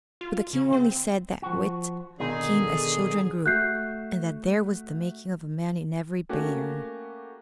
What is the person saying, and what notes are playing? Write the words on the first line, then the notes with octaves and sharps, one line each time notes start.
But the King only said that wit came as children grew, and that there was the making of a man in every bairn.
F4
C#3
C4
F3 F#4
B2 D3 D#3 D#4 G#4
A3 F#4 F#6 G6 C7
A3 A#3 C#4 F#4 G4